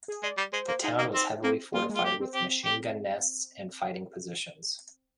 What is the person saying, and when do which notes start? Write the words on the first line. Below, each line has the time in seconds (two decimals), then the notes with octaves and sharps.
The town was heavily fortified with machine gun nests and fighting positions.
0.08 G#4
0.23 G#3 D5
0.37 G3
0.53 G#3 C5
0.68 A#3 C5
0.83 G#3 D#4
0.98 A#3
1.14 C4
1.44 A#3 C4
1.74 A#3 F4
1.89 G#3
1.96 F4
2.04 A#3 G4
2.20 C4
2.34 C4 G4
2.65 G4